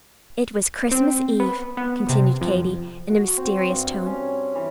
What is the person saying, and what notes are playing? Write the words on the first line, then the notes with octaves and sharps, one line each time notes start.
"It was Christmas Eve," continued Katy, in a mysterious tone.
C4
B3
B3
C3
F2
F#4
C4
G2
C#4
E3